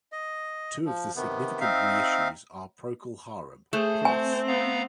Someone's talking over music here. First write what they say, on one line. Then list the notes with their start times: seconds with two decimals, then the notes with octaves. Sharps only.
Two of the significant reissues are Procol Harum...Plus!
0.12 D#5
0.86 F3
1.16 C3 D#3 B3
1.61 C4 D#4 E5 F5
3.73 A3 G#4 C5
4.05 C4 G#5
4.48 B3 F5 A#5